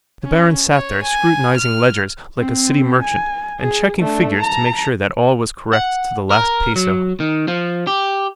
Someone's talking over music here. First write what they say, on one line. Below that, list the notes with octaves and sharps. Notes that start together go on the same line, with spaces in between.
The Baron sat there scrutinizing ledgers, like a city merchant, and checking figures to make sure that all was correct to the last peso.
C#4
C#5
G#5
F6
C4
G#5
G#4
A3 D4
A5 A#5
F#5
A#4
F#3
D#3
F3
G4